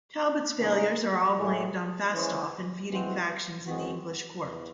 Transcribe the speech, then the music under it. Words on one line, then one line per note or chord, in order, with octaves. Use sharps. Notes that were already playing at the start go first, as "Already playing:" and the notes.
Talbot's failures are all blamed on Fastolf and feuding factions in the English court.
C#3 E3 G#3 D#4 G#4
A2 E3 G#3
E3 G#3 C#4 G#4 C5
E3 G#3 C4 F#4 C5
F#2 D#3 G#3 C4 F#4
E2